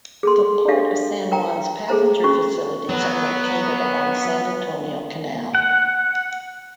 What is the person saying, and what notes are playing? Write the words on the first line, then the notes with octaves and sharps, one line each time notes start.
The Port of San Juan's passenger facilities are located along San Antonio Canal.
G#4 A4 C6
D4 G4 A4 E5 F5
A#4 G5 A#5
G#4 A4 C5 A#5
C#4 F#4 C#6
F#3 B3
F#5